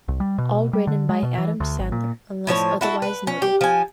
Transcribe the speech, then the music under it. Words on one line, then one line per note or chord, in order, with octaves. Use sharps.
All written by Adam Sandler, unless otherwise noted.
C2
G3
B2
G3
D3
G#3
B2
E3
D2
G#1
A#2
A2 F3 C#5 A5
E4 F#4 A4
B4
C#4
G4
F3 G#5